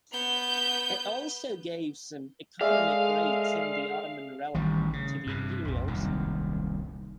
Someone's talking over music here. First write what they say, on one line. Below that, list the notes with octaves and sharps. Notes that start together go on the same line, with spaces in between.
It also gave some economic rights in the Ottoman realm to the Imperials.
B3 G6
G#3 G#4 A4 D5 E5 F5
A1 D#3 G3
C#3
G2 C3
A#1 F2
D#1 C2 F#2 D#3